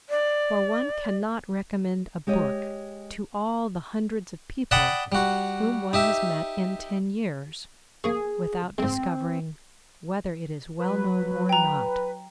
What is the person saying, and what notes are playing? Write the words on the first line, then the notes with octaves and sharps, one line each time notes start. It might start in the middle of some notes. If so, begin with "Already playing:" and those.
For one cannot recommend a book to all the hundreds of people whom one has met in ten years without discovering whether it is well known or not.
D5
G#3 G4 C#5 D#5
D5 F#5 G5 A5 B5 D#6
G3 F#4
D#4 G4 E5
A#3 G#4 C#6
G#2 G#3 C4
F#3 B4
G5 A#5